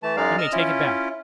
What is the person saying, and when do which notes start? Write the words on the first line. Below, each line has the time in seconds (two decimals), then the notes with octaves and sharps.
You may take it back!'
0.03 E3 A3 A5
0.17 F#2 G#3 D#4 D5 F5
0.38 D#5 E6 F6
0.52 C#4 E4 F4